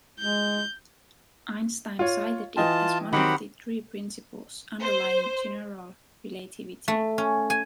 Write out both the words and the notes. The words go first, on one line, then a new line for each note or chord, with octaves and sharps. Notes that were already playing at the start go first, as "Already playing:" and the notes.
Einstein cited it as one of the three principles underlying general relativity.
G#3 G6
F4 C#5
E3 F4 D#5 G5 A5
D#3 F#3 C4 G4 F#5 B5
C5
A3
C#4
G#5